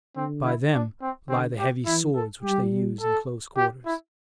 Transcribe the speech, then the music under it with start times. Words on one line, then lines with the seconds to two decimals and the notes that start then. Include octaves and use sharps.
By them lie the heavy swords which they use in close quarters.
0.16 D3 C4
0.45 E4
0.73 D4
1.02 C4
1.29 D3 C4
1.59 G4
1.86 E3 E4
2.15 A4
2.43 G3 G4
3.01 A4
3.57 G4
3.85 E4